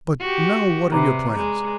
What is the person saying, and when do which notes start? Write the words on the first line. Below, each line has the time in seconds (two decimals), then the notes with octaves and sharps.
But now what are your plans?
0.20 F#4 G4
0.91 C3 A#4 B4 D5
1.35 G#3